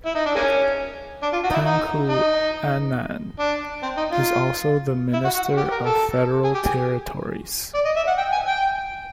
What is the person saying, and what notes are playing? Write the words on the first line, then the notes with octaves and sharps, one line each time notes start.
Tengku Adnan is also the Minister of Federal Territories.
E4
D#4
D4
G#3 A#3 C#4
D4
F4
F#4
D#4
E4
D#4
D#4
D4
C4
D#4
F4
E4
F#4
F#4
G4
A#4
A4
G#4
G4
G#4
D5
D#5
E5
F#5
G5
G#5
G5